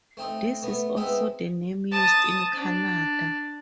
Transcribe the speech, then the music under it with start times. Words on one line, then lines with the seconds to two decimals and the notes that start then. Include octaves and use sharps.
This is also the name used in Canada.
0.17 A3 C4 D#4
0.63 A3 B3
0.97 G#3 B3 C4 D#4 B4 E5
1.91 A5 D#6
2.53 D4